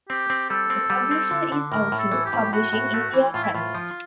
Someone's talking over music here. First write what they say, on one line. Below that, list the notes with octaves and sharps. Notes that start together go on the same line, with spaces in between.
The publisher is Outlook Publishing India Pvt.
C4 G4
C4
G3 A4
C4
G3
C4
D3
D3
A2 A#4
A2
A4
E3
G4
A2
A2 F#4
A2
A3
E3
A2 F4
E4
A2 F4
F3